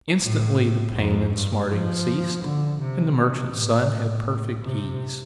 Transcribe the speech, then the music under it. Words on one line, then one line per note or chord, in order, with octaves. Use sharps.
Instantly the pain and smarting ceased, and the merchant's son had perfect ease.
A2
F2
G2
F3
D3
C3
C3
A2
C3